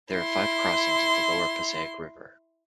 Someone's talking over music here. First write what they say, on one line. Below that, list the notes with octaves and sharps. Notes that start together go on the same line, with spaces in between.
There are five crossings of the Lower Passaic River.
E4 C6